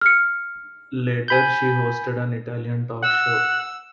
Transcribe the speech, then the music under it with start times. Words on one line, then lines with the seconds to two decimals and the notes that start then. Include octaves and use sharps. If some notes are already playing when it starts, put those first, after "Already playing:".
Later, she hosted an Italian talk show.
0.01 F6 C#7
1.28 G#5 B5 G6
3.03 F#5 E6